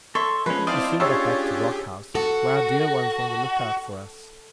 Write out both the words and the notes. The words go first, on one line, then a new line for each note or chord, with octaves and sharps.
We soon got back to Rock House, where our dear ones were on the look-out for us.
A4 C#5 E5 C6
F3 G#3 C#4 B4
C4 E4 C5 D5 D#5 F5 A5
C#4 D4 F4 G4 G#4 C#5 C#6 E6
F#4 A4